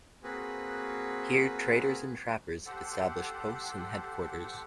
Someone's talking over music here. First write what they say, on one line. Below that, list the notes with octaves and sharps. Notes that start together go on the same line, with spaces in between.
Here traders and trappers had established posts and headquarters.
A#3 C4 F#4 G#4 B4
G4 A4 C5 F#5